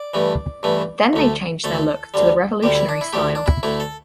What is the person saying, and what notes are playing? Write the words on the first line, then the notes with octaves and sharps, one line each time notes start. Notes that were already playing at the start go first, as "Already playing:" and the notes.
Then they changed their look to the revolutionary style.
Already playing: D5
G2 E3 A3
G2 E3 A3
D2 D3 A3
D2 D3 A3 A4
D2 D3 G3
D2 D3 G3 G4
E4
D4
E4
D2 D3 A3 G4
D4
E4
D2 D3 A3 E4
A4